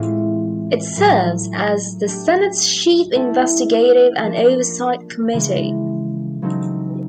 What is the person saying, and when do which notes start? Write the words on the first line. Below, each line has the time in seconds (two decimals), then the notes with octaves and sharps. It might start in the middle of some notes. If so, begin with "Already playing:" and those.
It serves as the Senate's chief investigative and oversight committee.
Already playing: A2 E3 G#3 C4 F4
0.97 A2 F#3 A3
2.06 A3 D4 G4
3.14 A3 C#4 E4 A4
4.23 F3 A#3 D4
5.34 C#3 E3 G#3
6.42 C#3 F#3 A3 C4 D#4